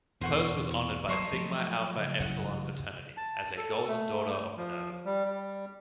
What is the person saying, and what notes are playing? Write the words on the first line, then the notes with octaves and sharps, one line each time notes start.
Post was honored by Sigma Alpha Epsilon fraternity as a "Golden Daughter of Minerva".
E2 B2 E3 C5 F#5 C#6
C#6
A2 F#3 D#4 C5 A5 C#6
F3 F#3 A3
C#3
A1 F#2 F#3 F#5
A5
A4
A3
F3
G3
G3